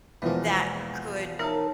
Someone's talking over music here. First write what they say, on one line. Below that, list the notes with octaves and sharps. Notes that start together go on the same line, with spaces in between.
that could
E2 B2 E3 F3 G#3 A#3
D#4 E4 A#4 C#5 A5